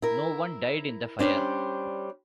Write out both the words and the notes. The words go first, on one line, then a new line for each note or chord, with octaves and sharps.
No one died in the fire.
E4 A#4
G3 C#4 D4 C5